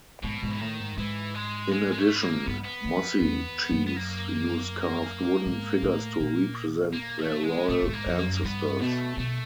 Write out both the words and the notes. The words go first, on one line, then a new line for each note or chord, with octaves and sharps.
In addition, Mossi chiefs use carved wooden figures to represent their royal ancestors.
G#2 B2
G#2
E3
A2 D#3
G#2
G#2 E3
G#3
G#3
G#3
A3
B3
A#3
G2 B3
B3
F2
E2
F#2
B3
A#3
G#2
A2
A#2
A#3
A3
G#3
A2 A3
A2
G#2
A#3
F2
A#3
F#2
A#3
G2 B3
B2 A3
B2 A3